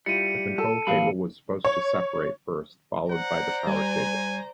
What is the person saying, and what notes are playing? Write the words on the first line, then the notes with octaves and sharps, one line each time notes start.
The control cable was supposed to separate first, followed by the power cable.
G3 E4 F4 C#7 D#7
A4
A#2 E3 G3 F5 B5
C#5
C5 D5 F#5 A#5
G3 G#5